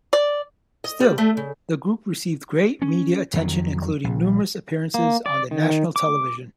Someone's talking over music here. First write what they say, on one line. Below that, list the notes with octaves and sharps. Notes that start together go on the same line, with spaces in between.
Still, the group received great media attention including numerous appearances on the national television.
D5
D#5
G3
A3
C#3
C#4
F2 D#3 F#3
A#1
A#3
D5
D#3
D6